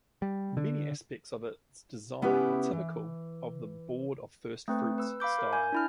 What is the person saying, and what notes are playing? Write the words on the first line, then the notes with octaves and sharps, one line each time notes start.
Many aspects of its design are typical of the Board of First Fruits style.
G3
D3
C#3 B3 C#4 E4 G4 B4
E3
A3 C4 B4
B4 E6
F5 B5 D6 G6
A#4
G#5 G6
D4 E4 F6